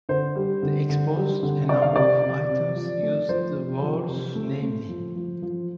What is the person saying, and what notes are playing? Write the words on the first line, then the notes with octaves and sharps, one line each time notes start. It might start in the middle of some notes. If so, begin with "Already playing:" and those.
The exposed a number of items used the wars, namely.
D3 C5
G3
D3
D3
G3
D3
C3 D5
F5
C3 D5
C3
C3
F3
A3
F3 C5
C3
F3
C3
A3
A3
F3
F3
F3